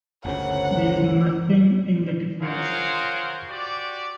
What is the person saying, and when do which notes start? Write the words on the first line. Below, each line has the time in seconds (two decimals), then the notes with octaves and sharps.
There is nothing in the differences.
0.25 G1 D2 C#3 A#4 C5 C#5 F#5
2.42 F4 G#4 A#4 C5 C#5 F#5
3.49 F#4 G4 D5